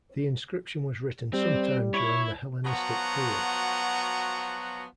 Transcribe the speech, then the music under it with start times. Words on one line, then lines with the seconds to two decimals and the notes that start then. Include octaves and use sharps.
The inscription was written sometime during the Hellenistic period.
1.33 G3 C4
1.94 E4 C#5
2.65 F3 F#3 B3 F#4 F#5 A#5